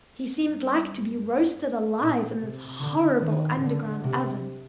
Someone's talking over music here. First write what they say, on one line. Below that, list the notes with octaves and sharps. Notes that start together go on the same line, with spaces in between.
He seemed like to be roasted alive in this horrible underground oven.
G2
A#2
C3
D3
D#3
D3
C3